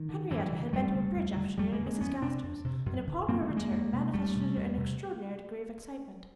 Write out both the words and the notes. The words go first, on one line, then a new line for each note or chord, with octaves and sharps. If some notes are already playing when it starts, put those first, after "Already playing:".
Henriette had been to a bridge afternoon at Mrs. Gaster's and upon her return manifested an extraordinary degree of excitement.
Already playing: D#3
D3
F#2 D3 E3
C#3
F#2 G3 A3
C#3
F2
D3
F2 G3 A3
G#3 A#3
D3
G#3 A#3
F2 B3 C#4
C3 C4 D4
F2
C3
F#2
D3
F#2 A#3 C4
A3 B3
D3
G#3 A#3
F2
C3
F2 G3 A3
C3
E2
C3